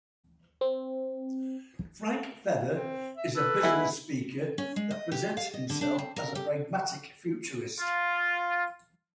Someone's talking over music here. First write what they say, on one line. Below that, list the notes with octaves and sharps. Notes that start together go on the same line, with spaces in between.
Frank Feather is a business speaker that presents himself as a pragmatic futurist.
C4
C4
E5
A4 B4
G#3 B3 E4
C#4
G#3
D#5
G4
F5
D#5
D3
D4
C4
A#4
G4
F4